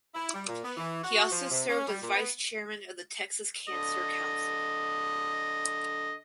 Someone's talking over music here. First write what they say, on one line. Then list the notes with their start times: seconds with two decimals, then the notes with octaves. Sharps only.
He also served as vice chairman of the Texas Cancer Council.
0.14 E4
0.33 G3
0.48 A#2
0.64 B3
0.77 E3
1.03 F#4
1.31 F3
1.51 C3
1.68 C#4
1.87 G3
2.01 A#2
2.14 B3
3.68 D3 D#5